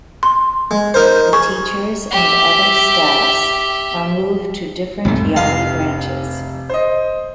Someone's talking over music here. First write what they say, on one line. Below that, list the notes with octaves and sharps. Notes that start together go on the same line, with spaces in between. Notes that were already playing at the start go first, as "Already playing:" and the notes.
The teachers and other staffs are moved to different Yali branches.
C6
G#3
D#4 A#4 C5
G#4 C#6
G4 E5
F1 C2 G#2 A3
C3 F5
C5 D#5